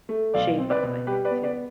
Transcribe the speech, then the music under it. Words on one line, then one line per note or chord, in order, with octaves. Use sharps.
shape us, I think, too.
A3
B1 D5 F5
C4
B4 D5
B2
G3 G4 B4
B4 D5
B3
B4 D5